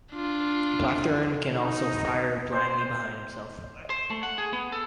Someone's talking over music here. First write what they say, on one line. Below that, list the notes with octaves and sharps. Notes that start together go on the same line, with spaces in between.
Blackthorne can also fire blindly behind himself.
D4 F4
D#4
C5
C5
A3
F#5
G#4
B3
A4